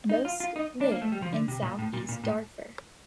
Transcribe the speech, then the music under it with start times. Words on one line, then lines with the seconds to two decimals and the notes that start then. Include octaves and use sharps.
Most live in southeast Darfur.
0.09 D#4
0.25 F4
0.40 F4
0.56 D#4
0.81 D4
0.92 A#3
1.02 A3
1.12 G3
1.22 F3
1.32 D3
1.48 C3
1.62 A#2
1.79 A2
1.93 A#2
2.09 A#2
2.24 A2